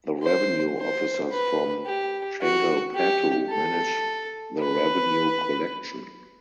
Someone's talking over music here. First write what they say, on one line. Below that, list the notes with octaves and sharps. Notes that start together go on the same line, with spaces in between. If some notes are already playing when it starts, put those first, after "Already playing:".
The revenue officers from Chengalpattu manage the revenue collection.
C5
C5
B4
G4
F#4
G4
A4
B4